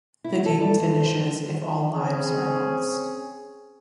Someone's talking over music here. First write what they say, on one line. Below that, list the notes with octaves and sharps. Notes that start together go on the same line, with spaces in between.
The game finishes if all lives are lost.
E4
A4
D5
G2
C5
C4 C#4 G#4